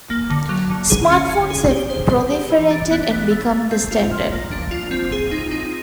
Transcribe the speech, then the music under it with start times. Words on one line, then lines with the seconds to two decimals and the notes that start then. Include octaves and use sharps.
Smartphones have proliferated and become the standard.
0.10 A#3
0.30 D3
0.49 F#3
0.70 D3
0.90 G#4
1.10 C#4
1.29 C#4
1.50 G#4
1.71 G4
1.90 C5
2.10 C5
2.31 G4
2.50 E3
2.71 D4
2.91 B3
3.11 B3
3.30 A3
3.51 A3
3.71 C4
3.91 F4
4.11 F3
4.32 A#3
4.51 D4
4.71 F4
4.91 C4
5.12 G#4
5.31 D#4
5.51 D#4